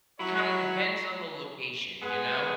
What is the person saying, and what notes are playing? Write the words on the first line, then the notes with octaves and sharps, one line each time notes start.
it kinda depends on the location, you know?
F#3 E4 C#5
G#3 B3 G#4 B4